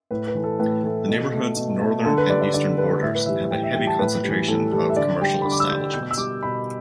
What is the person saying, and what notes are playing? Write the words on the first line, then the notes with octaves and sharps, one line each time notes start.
The neighborhood's northern and eastern borders have a heavy concentration of commercial establishments.
A2 B4
B4
E3 A3
A4
A2 B4
E3 A3 A4
B2
A3
B2
A3
D3 A4
B4
G3 D5
D5
D3 D5
G3 B4
A2 E5
B4
E3 G3 E5
A2 G5
E5
E3 G3 G5
A5
A2 B4
E3 G3
A2 A4
E3 G3 A4
E5
D3 D5
G3 G5
D3 B5
D6
E6
G3 G6
B2 G6
E6
G3 D6
B2 B5